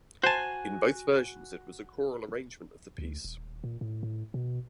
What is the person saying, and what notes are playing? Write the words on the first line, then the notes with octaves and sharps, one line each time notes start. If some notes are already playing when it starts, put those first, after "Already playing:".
In both versions it was a choral arrangement of the piece.
F#4 C5 G#5 A5
D2
D#1
A#2
A2
A2
B2